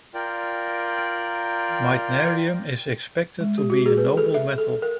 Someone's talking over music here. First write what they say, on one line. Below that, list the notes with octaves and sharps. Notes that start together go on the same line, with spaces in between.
Meitnerium is expected to be a noble metal.
F4 A#4 D5 G5
G#3
G4
F#4
G#4
B4
A4
E5
A4
A#4